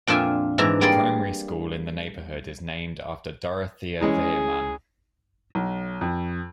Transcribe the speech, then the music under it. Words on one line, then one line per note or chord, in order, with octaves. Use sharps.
The primary school in the neighbourhood is named after Dorothea Viehmann.
F2 A#2 D4 F4 E5 G#5
G#2 E3 D4 E5 A#5
G3 A#3 G#4 D5 C6
E3 G#3 C#4 G#4
B1
F2